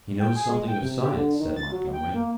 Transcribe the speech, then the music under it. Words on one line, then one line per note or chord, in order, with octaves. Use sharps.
"He knows something of science," said Montgomery.
G5
G#4
G#3
G5
C3
G4
D3
D#3
A6
F#3
G5
A#3